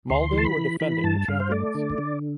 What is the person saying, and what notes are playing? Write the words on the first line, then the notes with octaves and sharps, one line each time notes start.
Molde were the defending champions.
D2 C6
E3 A5
B5
E3
E3 B5
G2 A5
G2 F5
C5
A3 D5
D3
D3